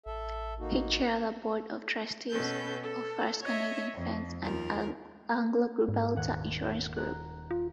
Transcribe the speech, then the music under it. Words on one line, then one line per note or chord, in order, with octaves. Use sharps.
He chaired the board of trustees of First Canadian Funds and AngloGibraltar Insurance Group.
A1 A4 E5
A#3 D#4 F#4
B2 C#4 A4 B4 G6
A4
C#5 D#5 E5
F2
D#2 F3 A#4
G#2
D#1 F#5 G#6
A#5 F#6
F4